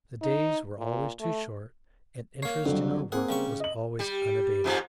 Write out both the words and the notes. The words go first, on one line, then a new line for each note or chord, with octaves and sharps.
The days were always too short, and interest in our work was always unabated.
D#4
A#2
A3
A#3 C#5 C7
F2 D3 F#3 G3
A#3 C4 G#4 F#5
C#3 G3 C#6
D#5 F#7
G3
F2 G#2 F3